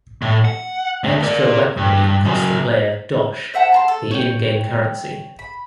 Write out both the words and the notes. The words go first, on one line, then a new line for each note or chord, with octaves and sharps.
Extra weaponry costs the player "dosh", the in-game currency.
A2
F#5
D2 A3
A#4 D5
G2
C#3 F#3
C5 E5 F#5 A5
A5 A#5 C6
A4
C#5 G5
B5